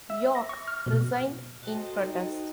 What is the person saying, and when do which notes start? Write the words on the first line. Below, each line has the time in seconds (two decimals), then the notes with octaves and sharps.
York resigned in protest.
0.10 E5
0.35 A#6
0.49 C#6
0.68 F6
0.86 B2
1.63 F#4 A4 C5 D#5 G5
1.96 D#4